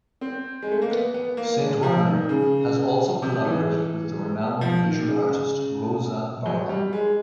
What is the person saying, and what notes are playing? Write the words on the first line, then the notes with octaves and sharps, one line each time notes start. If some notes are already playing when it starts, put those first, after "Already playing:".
Saint Werner has also collaborated with the renowned visual artist Rosa Barba.
C4
G#3
A3
A#3
B3
B3
A#3
G#3
F3
D#3
C#3
C3
E3
F3
D#3
C#3
C#3
F#3
G3
G#3